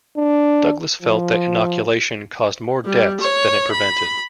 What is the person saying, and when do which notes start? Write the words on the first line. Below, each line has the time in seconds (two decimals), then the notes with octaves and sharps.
Douglass felt that inoculation caused more deaths than it prevented.
0.17 D4
1.02 F3
2.85 G3
3.20 C#5
3.71 B5